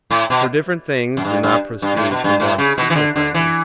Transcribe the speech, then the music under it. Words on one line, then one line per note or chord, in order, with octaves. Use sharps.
For different things do not proceed from one simple thing.
A2
B2
F#2
G2
G2
G2
A2
B2
G2
A2
C#3
B2
E3
D3
D3
E3